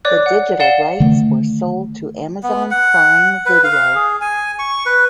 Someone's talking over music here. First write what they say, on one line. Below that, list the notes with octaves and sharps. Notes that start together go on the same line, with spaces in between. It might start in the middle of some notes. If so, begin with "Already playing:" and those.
The digital rights were sold to Amazon Prime Video.
C#5 D5 D6 F#6
F#5
D5 F5 F#5 E7 G7
D3 D#3 A3
B3
F#5
B4
F5
G#4
G#5
C#6
B4